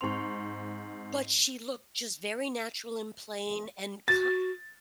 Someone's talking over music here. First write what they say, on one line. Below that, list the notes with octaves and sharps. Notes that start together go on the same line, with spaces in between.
but she looked just very natural and plain and ki
G#2 C4 C6 C#6 F7
F#4 A6